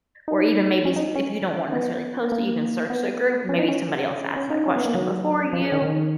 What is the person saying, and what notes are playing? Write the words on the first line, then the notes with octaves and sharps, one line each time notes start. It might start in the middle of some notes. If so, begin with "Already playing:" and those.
Or even maybe s if you don't wanna necessarily post it, you can search the group. Maybe somebody else asked that question before you
D#4
C#4
D#4
C#4
B3
A#3
B3
C#4
D#4
C#4
C#4
D#4
C#4
B3
A#3
F#3
F3
D#3
D#3